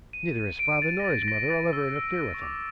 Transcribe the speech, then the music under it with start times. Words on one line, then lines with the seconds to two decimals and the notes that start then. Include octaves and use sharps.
Neither his father nor his mother will ever interfere with him.
0.13 D#7
0.36 D#7
0.59 D7
0.82 A6
1.00 A#6
1.04 A6
1.28 A#6
1.50 A6
1.73 E6
1.96 E6
2.34 C#6
2.42 D6